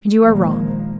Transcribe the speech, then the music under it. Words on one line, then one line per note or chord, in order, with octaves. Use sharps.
"And you are wrong."
A#1 D#3 F3 G#3 A#3